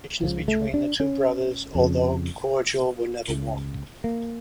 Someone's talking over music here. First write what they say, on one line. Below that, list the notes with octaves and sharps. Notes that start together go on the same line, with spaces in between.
Relations between the two brothers, although cordial, were never warm.
C#2 C#3 F3
A3
D4
C#4
F2 C#3
C#2 C#3
A#3